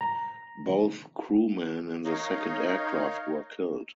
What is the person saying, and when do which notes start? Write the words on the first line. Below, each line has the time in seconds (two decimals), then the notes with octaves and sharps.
Both crewmen in the second aircraft were killed.
0.01 A#5
2.05 D#4 A#4 C#5 D#5 F5